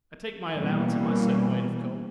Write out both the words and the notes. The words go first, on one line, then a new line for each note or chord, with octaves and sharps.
I take my allowance and my certain weight of coals.
B2 E3 G3 A#3 C#4